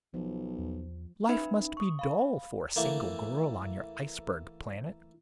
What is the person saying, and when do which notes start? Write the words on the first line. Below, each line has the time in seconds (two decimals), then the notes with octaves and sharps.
Life must be dull for a single girl on your iceberg planet.
0.14 B1 F3
0.57 E2
1.28 C#4 D#4 B4 E5 B5
1.77 C#6 D#6
1.99 F5 B5
2.76 E3 A3 A#3